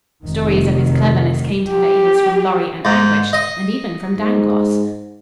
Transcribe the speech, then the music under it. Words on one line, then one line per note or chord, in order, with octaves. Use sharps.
Stories of his cleverness came to her ears from Lorry and Anguish and even from Dangloss.
F1 D#3
G4
G#2
D#5
G#2